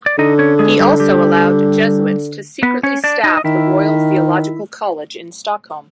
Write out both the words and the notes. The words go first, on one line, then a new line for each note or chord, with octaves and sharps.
He also allowed Jesuits to secretly staff the Royal Theological College in Stockholm.
D5
D3 D#4 D#5
C#4 C#5
G#3 G#4
G3 G4
G3 G4
B3 B4
C#4 C#5
D4 D5
D#4 D#5
D#5
D#3 E4 E5